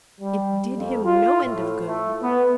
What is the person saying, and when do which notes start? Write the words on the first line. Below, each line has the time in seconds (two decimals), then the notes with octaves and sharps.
It did him no end of good.
0.21 G3
0.75 F2
1.04 F4
1.43 A2
1.87 A3
2.22 B3